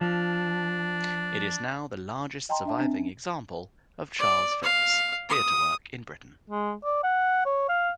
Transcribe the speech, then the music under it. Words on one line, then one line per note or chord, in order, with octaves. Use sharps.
It is now the largest surviving example of Charles Phipp's theatre work in Britain.
F3 D4
D#5 G5 A5 A#5 C6
D4 E5 A5
C4 D4
C#4
D5
F5
D#6
G#3
D5
F#5
C#5
F5